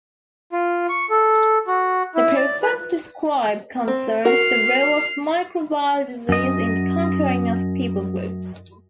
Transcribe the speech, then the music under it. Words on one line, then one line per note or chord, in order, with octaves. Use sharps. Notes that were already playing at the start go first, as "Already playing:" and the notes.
The process described concerns the role of microbial disease in the conquering of people-groups.
F4
C#6
A4
F#4
E4
D5
B4
C4
F#4 A#4 F6 C7
F#2 D#5